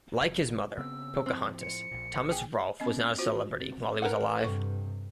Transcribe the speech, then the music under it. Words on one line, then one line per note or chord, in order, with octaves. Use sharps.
Like his mother, Pocahontas, Thomas Rolfe was not a celebrity while he was alive.
F1
C#3 B3 C4 E6
A2 F3 C4
C#7
A#1 A#2
G4 G#4 G#5
B3 C#4 D#5
F4 F#4 C5
C4
A#4 B4 F#5
G2 C3 A4 C#6